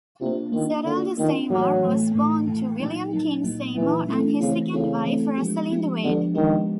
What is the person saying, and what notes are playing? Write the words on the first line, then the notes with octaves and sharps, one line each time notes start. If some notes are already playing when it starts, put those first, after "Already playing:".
Gerald Seymour was born to William Kean Seymour and his second wife, Rosalind Wade.
C3 A#3 D4 F4
D#3 A#3 D4 F4
D3 A#3 D4 F4
D#3 A#3 D4 F4
A2 E3 F#3 A3
A2 E3 A3
A2 E3 A3
A2 E3 A3
A#2 F#3 A#3 D#4
A#2 F#3 A#3 D#4
A#2 F#3 A#3 D#4
A#2 E3 F#3 A#3 D#4
E3 A3 C4 E4 A4
C#3 E3 A3 C4 E4 A4
C#3 E3 A3 C4 E4 A4
E3 A3 C4 E4 A4
F3 G#3 B3 D4 G4
F3 G#3 B3 D4 G4
D3 F3 G#3 B3 D4 G4
D#3 F3 G#3 B3 D4 G4